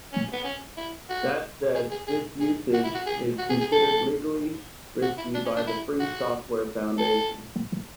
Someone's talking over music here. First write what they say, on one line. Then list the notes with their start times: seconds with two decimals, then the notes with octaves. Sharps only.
That said, this usage is considered legally risky by the Free Software Foundation.
0.12 C#4
0.33 B3
0.44 C#4
0.77 E4
1.10 F#4
1.75 G#4
1.91 G#4
2.07 G#4
2.40 G#4
2.73 F#4
2.84 E4
2.95 F#4
3.06 G#4
3.38 F#4
3.49 G#4
3.60 G#4
3.72 A4
5.02 F#4
5.18 E4
5.34 D4
5.45 C#4
5.56 D4
5.67 E4
6.00 F#4
6.98 A4